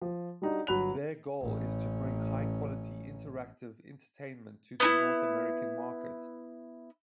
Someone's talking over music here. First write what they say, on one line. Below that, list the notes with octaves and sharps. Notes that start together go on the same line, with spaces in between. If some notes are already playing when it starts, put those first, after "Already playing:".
Their goal is to bring high-quality interactive entertainment to the North American market.
F3
G3 D4 D#4 F#4
G1 F#3 B5 F#6 F7
A1 C#4
B3 D#4 E4